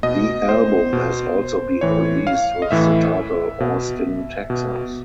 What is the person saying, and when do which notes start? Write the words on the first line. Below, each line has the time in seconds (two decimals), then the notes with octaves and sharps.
The album has also been released with the title "Austin, Texas".
0.03 B2 D#5
0.49 C5
0.93 B2
1.81 A2 E3 C#5
2.27 F5
2.62 D#5
2.71 A2 E3 E5
3.60 B2
4.50 B2